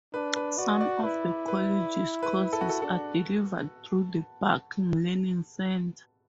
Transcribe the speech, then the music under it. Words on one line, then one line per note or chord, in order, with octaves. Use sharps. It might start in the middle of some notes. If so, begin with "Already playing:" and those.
Some of the college's courses are delivered through the Barking Learning Centre.
D4 B4
B4
F#4 D5
D5
E4 B4
B4
B4
A4
F#4
A4
D4 A4